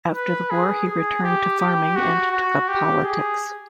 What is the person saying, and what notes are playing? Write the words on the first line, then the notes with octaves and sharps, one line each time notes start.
After the war he returned to farming and took up politics.
B4
G#4
G#4
G4
G4
F#4
F#4
G4
G#4